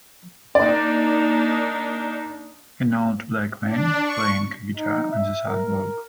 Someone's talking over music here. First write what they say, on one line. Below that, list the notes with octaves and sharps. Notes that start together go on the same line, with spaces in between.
An old black man, playing a guitar on the sidewalk.
A#3 D4 D#4 D5
D4
C#6
D#4
E5
A#4